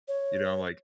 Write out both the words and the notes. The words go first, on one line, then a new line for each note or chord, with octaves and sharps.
you know, I'm like,
C#5